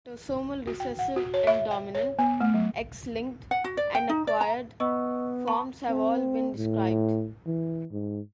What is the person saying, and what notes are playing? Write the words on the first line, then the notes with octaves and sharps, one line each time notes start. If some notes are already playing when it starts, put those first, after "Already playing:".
Autosomal recessive and dominant, X-linked, and acquired forms have all been described.
F#4
G5
F#5
F#4
C#5
E5
G5
C#5
B3
A3
F#3
F#5
F#4
D5
G5
D#4
D5
A#5
B3 D#5 C#6 E6
A5 B5 C#6
C4
A2
E3
G#2